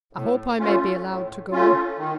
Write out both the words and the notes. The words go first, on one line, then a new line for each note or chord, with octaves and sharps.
'I hope I may be allowed to go?'
A2
A3 C#4 F4
A2
A3 C#4 F4
D#3